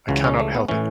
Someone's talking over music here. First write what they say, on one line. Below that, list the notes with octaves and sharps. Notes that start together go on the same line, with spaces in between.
I cannot help it.
C#2 C#3 E3 F#4
C#4
A3
B3
A2 E3 C#4